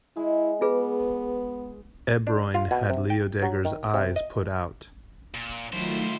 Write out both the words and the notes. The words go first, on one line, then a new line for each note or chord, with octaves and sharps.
Ebroin had Leodegar's eyes put out.
G#3 E4
B3 F4 G#4 B4
D4
F4
B2
C3
G5
F#3
D#3
C3
D#5
A#2 A#5 C6 F#6
D#3 F#3 A3 E4 F4 C5